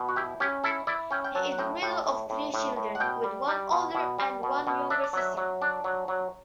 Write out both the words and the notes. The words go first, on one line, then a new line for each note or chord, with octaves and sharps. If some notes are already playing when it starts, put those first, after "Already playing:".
He is the middle of three children with one older and one younger sister.
Already playing: B2
F#4
E4 G4
C#4 G4
E4 A4
E4 D5
C#4 G5
G5
F#3 A5
F#5
A2 G5
A2 G5
A2
A2
A2
A2
F#5
B2 G5
G3
G3
B2
B2
G3
B2
B2
D4 E5
D5
F#3 E5
F#3
D4
F#3
F#3